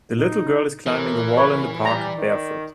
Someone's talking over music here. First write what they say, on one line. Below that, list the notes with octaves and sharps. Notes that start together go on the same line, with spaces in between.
The little girl is climbing a wall in the park barefoot.
D#4
A2 E3 A#4
F#1 B4 C#5
G3 D5 A#5
D#3